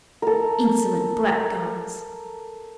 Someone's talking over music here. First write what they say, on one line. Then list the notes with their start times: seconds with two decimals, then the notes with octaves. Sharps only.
"Insolent blackguards!"
0.22 A4 A#4